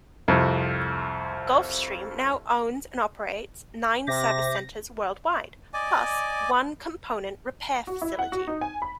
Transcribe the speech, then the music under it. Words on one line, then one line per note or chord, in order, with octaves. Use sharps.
Gulfstream now owns and operates nine service centers worldwide, plus one component repair facility.
C2 F2
C3 C5 E5 D6 A#6
D5 D#5 G#5 D6
F#4
E4
F#5
F#4
D#4
G#5
B5